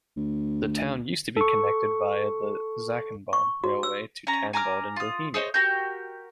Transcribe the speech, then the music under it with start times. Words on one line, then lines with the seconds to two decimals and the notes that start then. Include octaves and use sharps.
The town used to be connected via the "Zackenbahn" railway to Tanvald in Bohemia.
0.16 D2
1.37 A4 C#6
3.33 C#6
3.64 F#4
3.83 E6
4.27 C#4 A#5
4.53 G#5 A#5 D6 F6
4.96 F4 D#6
5.34 G#4 C5 C#5 D#5
5.54 F#4 G4 A#4 G6